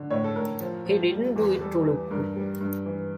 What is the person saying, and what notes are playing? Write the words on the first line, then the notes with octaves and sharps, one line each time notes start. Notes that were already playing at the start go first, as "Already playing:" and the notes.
He didn't do it to look cool.
Already playing: D3
A2 C#5
A4
A2 A#4
F3
F3
G3
E2
G3 A4
E3
G2 A#4
G3
G2
E3